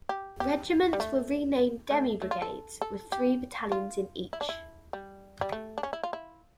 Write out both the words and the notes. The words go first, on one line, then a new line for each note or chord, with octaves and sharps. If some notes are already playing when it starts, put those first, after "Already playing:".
Regiments were renamed demi-brigades, with three battalions in each.
G4
G4
G3
A3
A3
A3
F4
A4
A4
G4
F4
E4
D4
E4
G3
G3
A3
D4
C#4
E4
F4
E4